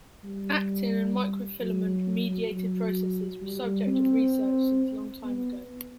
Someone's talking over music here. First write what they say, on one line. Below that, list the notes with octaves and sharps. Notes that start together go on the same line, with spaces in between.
Actin and microfilament-mediated processes were subject of research since long time ago.
G3
F#3
F#3
G3
C4
B3